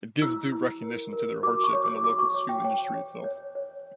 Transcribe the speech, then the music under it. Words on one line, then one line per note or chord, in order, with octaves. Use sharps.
It gives due recognition to their hardship and the local shoe industry itself.
E4 E6
E4
A#4
A#4
F#4 D6
C#6
C#5
D6
F#4 D6
C#6
C#5
G5
C#5 G5
C#5
C#5
C#5